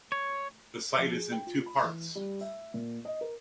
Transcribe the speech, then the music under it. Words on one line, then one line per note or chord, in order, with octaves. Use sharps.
The site is in two parts.
C#5
F3
G#4
G5
F4
B5
E3
G3
E5
A#2
D#5
A#4